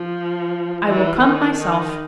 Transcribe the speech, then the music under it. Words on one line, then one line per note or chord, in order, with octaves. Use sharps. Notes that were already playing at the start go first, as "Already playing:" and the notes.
"I will come myself."
Already playing: F3
E3
D#3
D#3